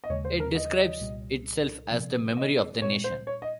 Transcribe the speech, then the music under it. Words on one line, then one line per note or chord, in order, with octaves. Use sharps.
It describes itself as the memory of the nation.
D#5
D#2 C#3 G#3 C#5
C5
A#4
D#5
C2 A#2 G3
C3 F3 C4
D#5
A#2 G3 C4 C#5
C5
C#5
D#5